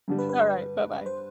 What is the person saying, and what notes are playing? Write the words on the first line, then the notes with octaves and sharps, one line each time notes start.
Alright. Bye-bye.
G2 D3 G3
B4
B4
C5